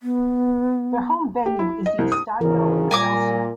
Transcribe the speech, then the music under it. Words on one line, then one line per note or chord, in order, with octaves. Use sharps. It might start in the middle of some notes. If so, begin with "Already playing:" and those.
Their home venue is the Estadio Excelsior.
B3
G4
E4
D#5
C2
D#6
G#1 C#3 E3 A#4
A#2 G3 G#5 A#5 D6